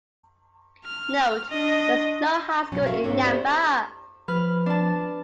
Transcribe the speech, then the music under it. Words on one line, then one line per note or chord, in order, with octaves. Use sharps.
Note: There is no high school in Yamba.
F6
D4 D#5
B2 F#3 C#4
F#4 A4 A#4 E5 F5
G#2 A#3 C4 D4 A4 C#5
E4 G4 C5 D5 E5
F3 B4 F6
D4 A5